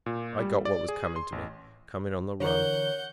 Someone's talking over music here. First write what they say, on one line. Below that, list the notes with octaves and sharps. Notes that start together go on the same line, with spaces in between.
I got what was coming to me--coming on the run.
A#2
G3
D5
G#4
C6
A1
D3 E3 A#4 C#5 F#5 G6